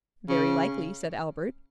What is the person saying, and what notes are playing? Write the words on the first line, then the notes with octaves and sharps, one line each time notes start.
"Very likely," said Albert.
C#3